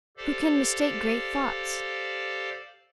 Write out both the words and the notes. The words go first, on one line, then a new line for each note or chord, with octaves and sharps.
"Who can mistake great thoughts?"
G4 A4 C5 D5 F5